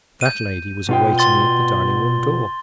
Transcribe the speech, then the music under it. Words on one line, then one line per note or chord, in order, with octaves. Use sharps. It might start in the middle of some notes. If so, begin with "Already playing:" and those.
That lady was awaiting me at the dining-room door.
G6 D#7
B2 F4 G5
C6 A6 G7